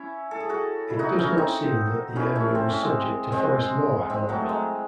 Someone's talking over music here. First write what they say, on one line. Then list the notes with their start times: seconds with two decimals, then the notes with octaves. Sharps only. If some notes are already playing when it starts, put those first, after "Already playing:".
It does not seem that the area was subject to forest law however.
Already playing: C#4 E4
0.31 A4
0.40 G#4
0.49 F#4 A4
0.90 E4
0.99 D#4 F#4
1.18 C#4 E4
1.38 C4 D#4
2.16 C#4 E4
2.35 A3 C#4
2.55 C4
2.69 C#4
2.82 G#3 C4
3.32 G#3 C4
4.10 G#3 C4
4.29 F#3 A3
4.49 G#3